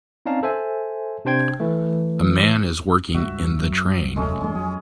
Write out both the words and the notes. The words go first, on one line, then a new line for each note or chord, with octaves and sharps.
A man is working in the train.
C4 C#4 D#4 D5 F5 A5
A4 C5 E5 G#5
C3 D4 C5 G5 G#6
E3 A3
C#2 G2 F#4 E5
F#2 F#3
F1 F#2 G#3 A3 C#4
E2 G2 G#3 A3 C#4
F2 F#3 G#4